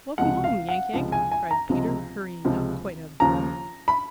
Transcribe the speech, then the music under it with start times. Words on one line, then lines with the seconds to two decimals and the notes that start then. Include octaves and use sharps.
"Welcome home, Yank-Yank!" cried Peter, hurrying up quite out of breath.
0.18 C#2 C3 F3 G#3 F#5
0.44 F5
0.69 F#5
0.93 C#2 C3 F3 G#3
1.12 G#5
1.32 G#5
1.51 A#5
1.69 C#2 C3 F3 G#3
2.45 C#2 C3 F3 G#3
3.20 D#2 C#3 F3 A#5
3.88 B5